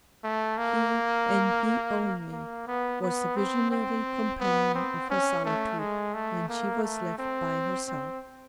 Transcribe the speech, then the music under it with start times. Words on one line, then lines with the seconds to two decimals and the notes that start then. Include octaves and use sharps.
He, and he only, was the visionary companion of her solitude when she was left by herself.
0.24 A3
0.58 A#3
2.32 A#3
2.67 B3
3.02 B3
3.37 C4
3.71 C4
4.40 B3
4.75 C4
5.10 C#4
5.45 A3
5.79 G#3
6.14 A3
6.49 A#3
6.84 A3
7.18 C4
7.88 C4